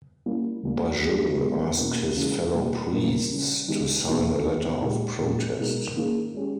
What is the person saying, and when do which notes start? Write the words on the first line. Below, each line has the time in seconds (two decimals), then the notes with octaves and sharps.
Bajeux asked his fellow priests to sign a letter of protest.
0.26 G3 A#3 C#4 E4
0.63 E3 G3 A#3
1.01 A#3 E4 G#4
1.39 G#3 B3 G4
1.77 B2 A#3 C#4 E4 A#4
2.16 C#3 E3 G#3
2.53 B2 G3 A#3
2.92 A#2 A#3 E4 A#4
3.30 C#3 G3 C#4
3.68 D#3 G#3 B3 G4
4.06 B2 A#3 D#4 G#4
4.45 D#3 A#3 D#4 G#4 B4
4.82 A#2 G#3 D#4 G4
5.20 A#2 G#3 C#4
5.59 B2 G#3 D#4 A#4
5.96 D#3 A#3 C#4 G#4
6.34 G#3 C#4 G4